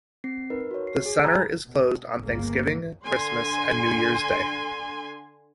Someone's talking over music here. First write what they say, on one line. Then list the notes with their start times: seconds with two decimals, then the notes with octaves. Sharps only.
The center is closed on Thanksgiving, Christmas and New Years Day.
0.24 C4 C7
0.50 D#4 A#4 B4
0.71 F#4 C#5
0.87 C7
1.06 G#4
1.23 F#5 G#5 A#5 B5 G6 G#6
1.66 B2
2.19 G1 C#2 C#3 A#3
3.05 D3 G#5 C6